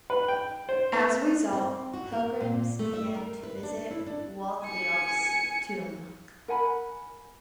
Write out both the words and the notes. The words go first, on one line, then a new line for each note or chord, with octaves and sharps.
As a result, pilgrims began to visit Waltheof's tomb.
B4
G5
C5
B3
C4
F#4
A#4
A#2
A3
E5
A#4
B4
D4
E4
D4
G#5 C#7
A#4 F#5 G#5 B5